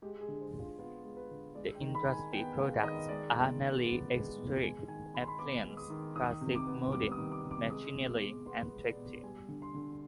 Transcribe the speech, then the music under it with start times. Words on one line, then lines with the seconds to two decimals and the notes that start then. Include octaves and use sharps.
The industry products are mainly electric appliances, plastic moulding, machinery and textiles.
0.02 G#3 G4
0.21 G#4
0.28 D3
0.41 C5
0.54 D3
0.59 F4
0.78 B3 F4
1.04 G#3
1.17 B4
1.31 D3
1.55 G#3 D5
1.75 G5
1.81 D#3
1.95 B5
2.07 D#3
2.13 G#5
2.32 B3 G5
2.57 G#3 F5
2.83 D#3 D#5
3.09 G#3 D5
3.35 B2
3.60 B2
3.85 B3
4.12 G#3
4.37 B2
4.62 G#3 G#5
4.88 D#3 G#5
5.14 D#3 B5
5.21 C6
5.28 B5
5.39 B3 D6
5.65 G#3
5.77 D#6
5.90 D#3
6.16 D#3 D#6
6.41 C3
6.55 D6
6.67 B3
6.92 G3 D6
7.12 D#6
7.18 D#3
7.32 D6
7.44 C3
7.51 D6
7.70 G#3 D#6
7.95 B2
8.20 B2
8.46 B3 C6
8.72 G#3
8.84 D5
8.97 B2
9.23 G3 G#5
9.48 D3
9.62 C6
9.74 D3